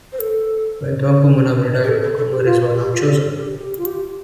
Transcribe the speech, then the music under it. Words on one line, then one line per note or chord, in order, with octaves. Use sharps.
When Tuanku Munawir died, Tuanku Muhriz was not chosen.
C5
A4
G4
A4
A4
A4
G4
F4
G4
F4
G4
A4
A4
G4
G4
F4
G4